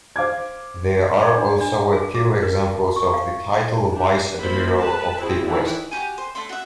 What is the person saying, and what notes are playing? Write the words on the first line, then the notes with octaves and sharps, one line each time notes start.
There are also a few examples of the title Vice-Admiral of the West.
C5 F5 D6 G#6
D5
D4
D4
G#4
D6
A#4
C#6
F5
D4 G4
F3 A#3 E4 F4 C5 B5
G#3 B4 A5
C4 E4 F#4 G#4
D#3 E3 D4 E4
F#4 G4 G#5
C5
A3 D4 B5 C6
F#4 E5